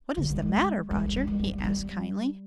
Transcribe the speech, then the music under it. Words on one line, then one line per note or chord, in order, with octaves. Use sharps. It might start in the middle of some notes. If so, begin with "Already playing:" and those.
"What is the matter, Roger?" he asked kindly.
D3
G3
G#3
G#3
G3
F3
G3
G#3
G3
G#3
G3